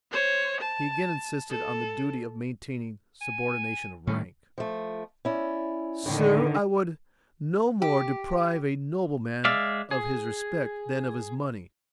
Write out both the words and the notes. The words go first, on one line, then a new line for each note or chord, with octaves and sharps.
He again insisted on the duty of maintaining subordination of rank. 'Sir, I would no more deprive a nobleman of his respect, than of his money.
C5 C#5
A5
A4
G#5
A2 D#3 G3 C#4
F3 A3
C#4 E4 D5
F2 A2 D3 D#3
G4
G#3 D5 E5 F5
G#4